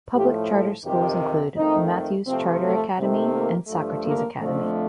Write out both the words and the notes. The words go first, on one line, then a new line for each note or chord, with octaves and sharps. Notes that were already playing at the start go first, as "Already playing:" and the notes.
Public charter schools include Matthews Charter Academy and Socrates Academy.
A2 F3 A3 G4
A4
F2 C3 D#3 G4
F2 D#3 A3 D#4
C3 F3 A3 C4
A3
C3 D#3 A3
A#3
G2 F3 A3
A#3
F2 D3 F3 A3